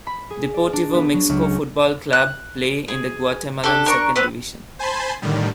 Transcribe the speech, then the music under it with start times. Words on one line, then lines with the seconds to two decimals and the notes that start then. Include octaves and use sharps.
Deportivo Mixco football club play in the Guatemalan second division.
0.07 B5
0.30 G#4
0.54 D5
0.73 D4
0.94 B3
1.14 F#3
1.29 C#2
1.42 C#4
2.13 F#6
2.88 G#4
3.64 D4 G4 A4
3.86 D4 A#4 C#6
4.16 B3 C4 B4
4.79 C5 G#5 A5 B5 C6
5.22 A2 D3 D#3 G3